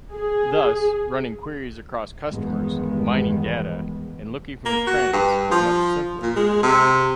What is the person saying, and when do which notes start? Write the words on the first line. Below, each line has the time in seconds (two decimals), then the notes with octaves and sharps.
Thus, running queries across customers, mining data, and looking for trends is much simpler.
0.11 G#4
2.31 E2 G2 D#3 G#3 B3
4.65 A#3
4.87 F#4
5.13 G2
5.51 F3
6.22 A#2
6.36 G#3
6.63 C3